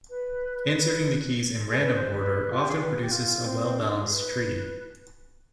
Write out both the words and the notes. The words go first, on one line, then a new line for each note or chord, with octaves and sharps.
Inserting the keys in random order often produces a well-balanced tree.
B4
B4
G#4
B4
C5
B4
F4
G4
G#4
B4
G4
F4
C4
D4
D#4
F4
G#4
B4